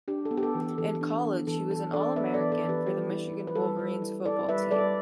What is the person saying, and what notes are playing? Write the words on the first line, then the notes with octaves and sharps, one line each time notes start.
In college, he was an All-American for the Michigan Wolverines football team.
D4 G4
A4
B3
G4
A4
E3
G4
E3 A4
D4
B3
E3 A4
E3 A4
D4 A4 D5
B3 B4 E5
A4 D5
E3
A4 D5
E3
G4 B4
G3 G4
E4
E4
B4
G3 A4
G3
E4
E4 A4 D5
G3 B4 E5
G3 A4 D5